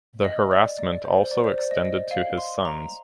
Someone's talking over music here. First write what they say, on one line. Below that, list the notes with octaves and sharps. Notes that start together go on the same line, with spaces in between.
The harassment also extended to his sons.
D#5
D5
D5
C5
D5
C5
D5
D#5
D#5
F5
C6
A#5